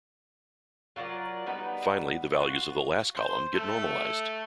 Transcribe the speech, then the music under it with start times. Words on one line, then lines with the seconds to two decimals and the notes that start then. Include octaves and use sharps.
Finally, the values of the last column get normalized.
0.96 F#3 F4 A#4 D5
1.46 G3 B3 D#4 B4
2.33 F4 F#4
3.17 C5
3.54 A3